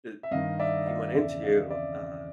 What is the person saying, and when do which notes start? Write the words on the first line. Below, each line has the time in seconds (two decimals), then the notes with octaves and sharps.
that he he went into, uh,
0.23 E5
0.31 G2 D#3 D#5 F5
0.59 D5 E5
0.86 D#5 F5
1.14 E2 C#3 E3 D5 E5
1.43 D#5 F5
1.70 D5 E5